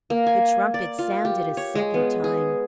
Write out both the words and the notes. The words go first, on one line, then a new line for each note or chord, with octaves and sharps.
The trumpets sounded a second time.
A#3
G#5
D5
F4
G4
C#5
G#3
B3
G#4